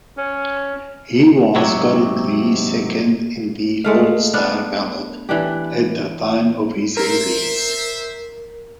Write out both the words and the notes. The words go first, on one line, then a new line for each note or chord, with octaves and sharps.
He was currently second in the all-star ballot at the time of his release.
C#4
G#2 C3 F#3
G#3 A3 F5
B3 D4 F5
E3 D4 G4
A#4 C5 E5